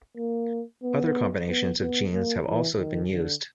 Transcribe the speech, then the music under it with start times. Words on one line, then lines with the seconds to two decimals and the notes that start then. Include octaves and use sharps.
Other combinations of genes have also been used.
0.17 A#3
0.83 B3
1.48 B3
1.81 B3
2.13 A#3
2.46 E3
2.79 D#3
3.11 D3